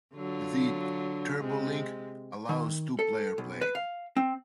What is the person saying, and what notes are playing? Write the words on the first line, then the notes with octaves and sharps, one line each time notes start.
The "TurboLink" allows two-player play.
D3 F#3 F4
C3 G#3
D#3
A4
B1
B4
F5
C4